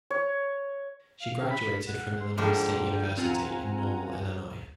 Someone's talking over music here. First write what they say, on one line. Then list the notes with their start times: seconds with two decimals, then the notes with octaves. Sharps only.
She graduated from Illinois State University in Normal, Illinois.
0.10 C#5
1.21 F5
1.50 B5
1.88 F#5
2.20 C6
2.38 G#2 D3 F3 A#3 G5
3.18 C4 F4 F#5 G#5 A#5